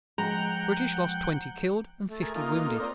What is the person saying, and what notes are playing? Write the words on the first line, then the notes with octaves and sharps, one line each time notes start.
The British lost twenty killed and fifty wounded.
F3 G#3 F#5 G5 A#5
A3
G#4 A#4
A#3 D#4 F4
B4
A4
C4 A#4 D5